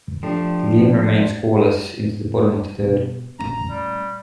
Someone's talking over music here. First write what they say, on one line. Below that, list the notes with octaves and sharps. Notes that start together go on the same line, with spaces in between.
The game remained scoreless into the bottom of the third.
F3 A3 D4 G4
B2
A#2 A3 C#4 A#5
G3